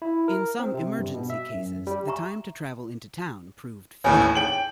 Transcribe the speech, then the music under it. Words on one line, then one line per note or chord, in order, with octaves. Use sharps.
In some emergency cases, the time to travel into town proved fatal.
E4
A#4
C4
C3
G2
B2
E5
F#2
G3
E5 A#5 C#6
A1 D#2 A2 B4 C#5 G#5
D#4 G#4 C#5 G5 F#7